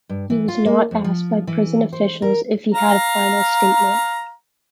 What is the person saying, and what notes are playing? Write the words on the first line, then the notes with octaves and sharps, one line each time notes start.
He was not asked by prison officials if he had a final statement.
G2
E3
F4
A#3
F2
F3
E3
C5
A#4
F5 A#5